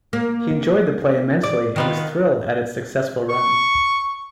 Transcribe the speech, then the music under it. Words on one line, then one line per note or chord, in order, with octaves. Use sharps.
He enjoyed the play immensely and was thrilled at its successful run.
A#3
D5
D#3 B3 F4
C#6